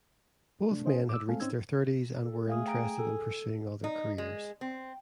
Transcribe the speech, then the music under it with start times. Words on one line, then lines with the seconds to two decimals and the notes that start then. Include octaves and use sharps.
Both men had reached their thirties and were interested in pursuing other careers.
0.71 C3 A3 D4
0.85 C#4 C5 D#5 G#5
1.09 D6 E6
1.28 G#3 A3 C4 A4 F5 G#5
1.40 G#2 C4 C#4 D#4 E6 G#6
2.25 A4
2.47 A3 G#4 E5 F5 D#6
2.66 G5 A#5 D7
2.99 A4 E6
3.84 D#4
4.18 G#3
4.61 C4